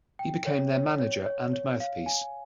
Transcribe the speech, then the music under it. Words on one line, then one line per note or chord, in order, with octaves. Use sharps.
He became their manager and mouthpiece.
G5
C#5
C#5
C#5
C#5
C#5
F5
G#5